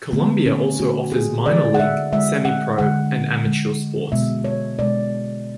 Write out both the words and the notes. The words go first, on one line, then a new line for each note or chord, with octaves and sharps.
Columbia also offers minor league, semi-pro, and amateur sports.
D3 A3 B3
C#4
D3 A3 F#4
G#4
D3 G#3 D5
F#5
E5
D3 G#3 E5
F#5
D3 G#3 F#5
D3 G#3
B2 G#3 E5
C#5
B2 G#3 D5